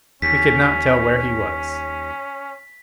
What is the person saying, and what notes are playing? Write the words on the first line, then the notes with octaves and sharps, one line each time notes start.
We could not tell where he was.
D#2 C#4 B6